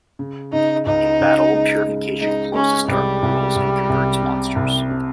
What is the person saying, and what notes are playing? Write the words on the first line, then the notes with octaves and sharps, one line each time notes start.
In battle, purification closes dark portals and converts monsters.
C#3
C#3 D#4
C#2 D#4
C#2
G#3
G#3
G#3 D#4
G#3 C#4
C2 G3
C2
C2
C2
C3
C2
C3